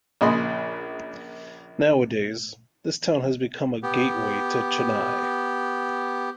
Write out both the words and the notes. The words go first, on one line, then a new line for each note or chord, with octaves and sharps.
Nowadays, this town has become a gateway to Chennai.
A#1 A#2 C#3 D#5 B5 C6
B3 G4